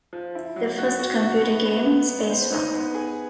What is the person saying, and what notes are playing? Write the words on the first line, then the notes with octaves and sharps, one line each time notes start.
The first computer game, Spacewar!
F3
E4
F#3
F#4
F#4
F#4
B3
B3
B3
B3
C5
D#4
B3
G#4